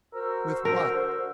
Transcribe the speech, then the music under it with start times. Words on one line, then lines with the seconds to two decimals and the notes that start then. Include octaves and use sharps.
"With what?"
0.13 F#4 A#4 C5 E6
0.65 D3 A#4